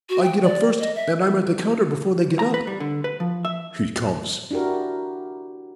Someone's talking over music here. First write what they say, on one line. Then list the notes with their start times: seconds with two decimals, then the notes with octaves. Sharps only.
I get up first, and I'm at the counter before they get up.' He comes.
0.09 F#4
0.22 G5
0.43 D5
0.80 D#5
0.95 E5
2.39 A#5
2.54 B4
2.67 G3
2.80 D3
3.04 B4
3.20 F3
3.45 E5
4.51 D4 E4 F#4 G4 A#4